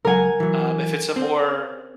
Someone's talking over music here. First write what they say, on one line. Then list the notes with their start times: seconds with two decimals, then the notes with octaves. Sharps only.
um, if it's a more,
0.05 C#2 F#3 A#4 F#5 G#5
0.40 E3 F#3
1.16 C4 C5